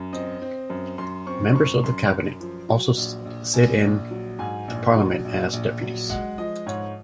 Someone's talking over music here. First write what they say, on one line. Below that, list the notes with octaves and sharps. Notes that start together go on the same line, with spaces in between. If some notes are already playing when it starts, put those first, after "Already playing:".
Members of the cabinet also sit in the parliament as deputies.
Already playing: F#2
C4 D#5
C4
F#2
F#2 C6
C4 C#6
F#2 C#6
F#2 C6
F#2
F3
F#3
A#1
A#1
A#1 G#5
A#1
F#3
G#2 G#5
A#1
F#3
A#1
A#1
F#3
G#3 F#5
F3 D#5
G#2 C#5